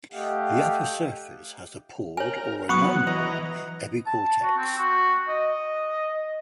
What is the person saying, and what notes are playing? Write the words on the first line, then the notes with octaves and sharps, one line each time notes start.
The upper surface has a pored or non-pored epicortex.
A3 G4 D#5 F5 F#5
A#4 C#5 G#5
F#3 B3 F#5 B5 C#6 D#6
E3 B4 D#5 A#5
A5
F#4
C4
F#4
D#5